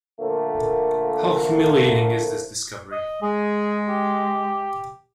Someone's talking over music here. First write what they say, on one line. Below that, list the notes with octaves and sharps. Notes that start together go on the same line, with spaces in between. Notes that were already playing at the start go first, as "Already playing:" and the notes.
How humiliating is this discovery!
A#2 D3 F3 A3 A#3
D#5
G#3 G#4
G4